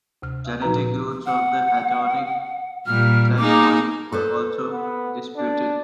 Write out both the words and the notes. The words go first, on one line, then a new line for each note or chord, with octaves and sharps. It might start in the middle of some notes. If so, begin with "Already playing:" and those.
Genetic roots of the hedonic set point are also disputed.
D2 C3 F6
A#2 F3 D#4 F#4 B4 A#5
F#5
A#2 G3 F6
A#3 D#4 G#4 D6
A4 B4 C5
B3
D4